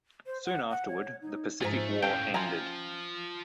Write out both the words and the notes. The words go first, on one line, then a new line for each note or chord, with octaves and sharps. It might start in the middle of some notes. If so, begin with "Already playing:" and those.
Soon afterward the Pacific war ended.
C5
F#5
F#5
C#5
D#4
G#2 F3 G#3 A3 G#4 A#5
F#2 A2 C#4 A4 F5 G5
F3 F4 G#5 A#5